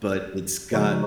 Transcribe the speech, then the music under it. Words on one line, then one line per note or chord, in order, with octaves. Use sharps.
but it's got
C#3 F3 G#3 D#4 F#4